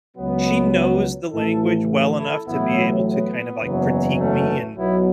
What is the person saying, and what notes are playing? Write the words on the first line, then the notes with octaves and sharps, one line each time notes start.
she knows the language well enough to be able to kind of, like, critique me and
C#2 B2 F#3 B3
A1 A2 E3 E4 A4
E4 A4
A1 A2 F#3 B3 E4
B3
F#1 E2 B2 F#3
A3 C#4
B1 B2 F#3 B3 E4